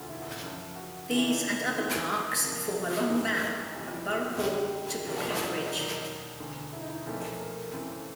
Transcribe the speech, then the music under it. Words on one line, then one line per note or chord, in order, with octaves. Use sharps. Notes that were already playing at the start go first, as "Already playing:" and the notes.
These and other parks form a long mall from Borough Hall to Brooklyn Bridge.
Already playing: E1 D2 D3 F4 F#4
E4
F#2 C#3 F3
F#4
C#2 C#3 E3 F4
E4
D#4
D4
D#4
G#1 G#2 E3 G#3 C4
F2 C3 F3 A#3 G#4
G#1 G2 E3 A#4
G#4
G4
D#4
F2 C3 E3 G3 C4
F4
F#4
G4
G#4
F#2 D3 G3 G4
C2 C3 F3 A#3 G4
F#4
F4
E4
D4
D#4
D4
D#4
E1 D#2 D#3 F#3
E1 D2 D3
E4
D#4
E4
B1 A#2 F3 A3 C4
A#4
F#2 C#3 E3 A3 C4